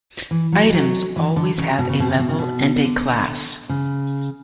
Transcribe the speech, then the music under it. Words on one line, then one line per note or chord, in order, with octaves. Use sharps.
Items always have a level and a class.
E3
F#3
F#3
E3
D3
C#3
B2
C#3
B2
C#3
B2
C#3
B2
D3
C#3